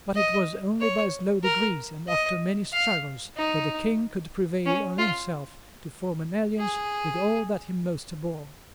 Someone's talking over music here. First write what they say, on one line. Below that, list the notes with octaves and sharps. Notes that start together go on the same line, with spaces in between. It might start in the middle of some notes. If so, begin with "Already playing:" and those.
But it was only by slow degrees and after many struggles that the King could prevail on himself to form an alliance with all that he most abhorred.
D#5
C#5
A#4
D#5
F5
D#4
C#4
F4
G#4